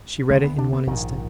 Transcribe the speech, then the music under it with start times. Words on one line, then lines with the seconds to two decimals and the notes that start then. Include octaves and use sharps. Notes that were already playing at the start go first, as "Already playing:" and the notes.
She read it in one instant.
0.30 D2 D3 G#3
0.44 B3
0.58 D4
0.73 B3
0.87 A#1 G#2 D#3